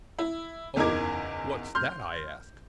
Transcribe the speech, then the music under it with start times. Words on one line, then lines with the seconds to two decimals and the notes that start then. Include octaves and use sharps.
"Oh! What's that?" I asked.
0.19 E4
0.76 F#1 E2 D#4 A#4 D6 G#6
1.75 C6 F6 G6